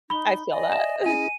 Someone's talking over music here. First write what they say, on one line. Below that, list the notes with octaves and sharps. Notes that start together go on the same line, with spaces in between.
I feel that.
D#4 B5 G7
D5 D#5 G#5
E5 E7
C#4 E4 G#4 G#5 D#7